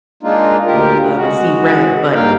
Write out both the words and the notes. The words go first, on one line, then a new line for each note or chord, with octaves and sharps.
um, and see red, but
G#3 A#3 D4 D#4 F4
D2 A#2 F4 G4 A#4
G#3 F#4
G2 A#2 A#3 D#4 F5 G5